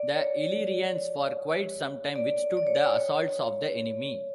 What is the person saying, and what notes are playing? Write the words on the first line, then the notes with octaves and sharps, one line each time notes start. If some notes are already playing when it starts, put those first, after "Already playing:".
The Illyrians for quite some time withstood the assaults of the enemy.
Already playing: D5
C#5
D5
D5
C#5
D5
C#5